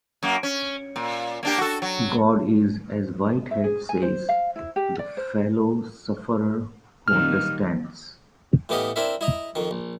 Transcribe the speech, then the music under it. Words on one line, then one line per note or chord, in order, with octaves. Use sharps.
God is, as Whitehead says, "the fellow sufferer who understands."
F#2 A#3
C#4
A#2
A#3 D4 G4
F#4 A4
F#3
E5
G#4
G#5
C5
F5
E4
G4
D5
C5
A#2 D#3 G3 F6
A2 E3 B3 G4 D#5 F5
C4 D4 E4 A#4 E5
E4 D#5 A#5
F2 D#3
A#1